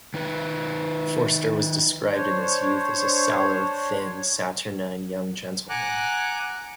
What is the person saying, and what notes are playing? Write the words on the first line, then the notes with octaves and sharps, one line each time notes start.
Forster was described in his youth as a "sallow, thin, saturnine young gentleman".
D#3 D#4 B4
D4 C5 C#5
F#5 G#5 A#5 D6 F#6